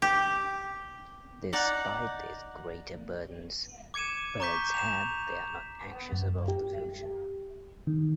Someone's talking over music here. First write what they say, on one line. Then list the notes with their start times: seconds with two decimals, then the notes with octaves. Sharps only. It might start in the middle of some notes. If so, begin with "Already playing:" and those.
Despite these greater burdens birds have, they are not anxious about the future.
0.02 G4
1.53 D#4 D5 F#5
3.94 D6 G#6 C#7 D#7 E7
4.40 A#5 C#6 D6 G6 B6
4.74 E7 F7
6.12 F#2
6.48 G4
7.87 D#3